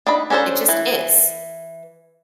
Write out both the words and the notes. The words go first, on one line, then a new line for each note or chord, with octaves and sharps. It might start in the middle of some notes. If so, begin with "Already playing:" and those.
It just is.
D4 D#4 B5
C#4 D4 A4 A#4 C5
E3